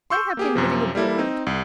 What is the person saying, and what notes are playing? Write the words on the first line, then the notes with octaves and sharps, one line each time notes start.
'They have been living abroad.
C6 C#6 E6 G6
A#3 G4 G#4
F#2 C3 F3
G3 A#3 E4 A4
C4 D#4
C2